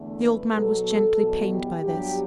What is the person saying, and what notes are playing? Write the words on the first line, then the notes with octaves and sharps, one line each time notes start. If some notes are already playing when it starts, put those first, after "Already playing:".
The old man was gently pained by this.
Already playing: E2 D3 A3
B4
B2 F#3 B3 A4
E2 B2 F#3 B3
G4
G2 F#3 B3 G4